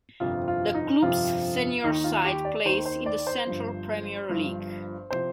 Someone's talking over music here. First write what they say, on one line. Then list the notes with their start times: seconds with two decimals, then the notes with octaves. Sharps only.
The club's senior side plays in the Central Premier League.
0.20 G1 F2 C3 F3 F4
0.48 F4
0.74 D#4
1.02 G1 F2 C3 F3 F4
1.84 D#2 D#3 D#4
2.04 F4
2.25 G4
2.45 D5
2.65 D#2 D#3 C5
2.85 C5
3.06 D5
3.27 C5
3.47 G1 G2 F3
4.29 G1 G2 F3
5.10 C3 F3 C5